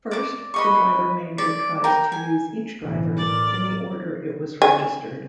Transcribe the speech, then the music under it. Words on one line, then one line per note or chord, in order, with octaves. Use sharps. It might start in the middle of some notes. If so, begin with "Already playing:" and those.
First the DriverManager tries to use each driver in the order it was registered.
D5 D6
B4 D#5 C#6
D5
A#4 G5
G#5
B1 A2 E3
A2 A#4 D5
G#5